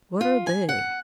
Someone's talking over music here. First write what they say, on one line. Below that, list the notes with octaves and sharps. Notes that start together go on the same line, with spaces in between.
"What are they?"
F4
G#5
F#5